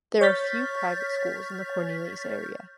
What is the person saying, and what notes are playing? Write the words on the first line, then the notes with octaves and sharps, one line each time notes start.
There are few private schools in the Cornelius area.
C#5 C#6 F6 G6 A6 B6